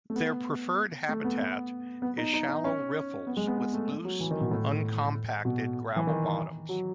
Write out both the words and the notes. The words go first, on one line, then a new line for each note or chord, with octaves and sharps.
Their preferred habitat is shallow riffles with loose, uncompacted gravel bottoms.
A3
B3
A3
B3
B3
B3
D#4
D#4
D#4
C#4
B3
G#3
B3
B3
A3
F#3
E3
D#3
B2
A2
B2
E3
D#3
F#3